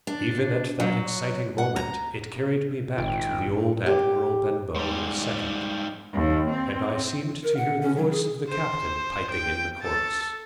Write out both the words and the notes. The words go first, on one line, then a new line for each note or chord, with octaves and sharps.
Even at that exciting moment it carried me back to the old Admiral Benbow in a second, and I seemed to hear the voice of the captain piping in the chorus.
D4
F#3
F#5
A#5
G#1 A#2 G5
G4
G#2 G3
D#2
C4
A#4
F#5
C#4
F#3
G#4
C5
G5
A4 A6